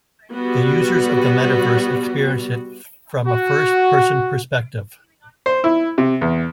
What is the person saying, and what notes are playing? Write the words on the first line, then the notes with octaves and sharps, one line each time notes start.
The users of the Metaverse experience it from a first person perspective.
G3 B3 F#4
F#4
C5
E4
C3
E2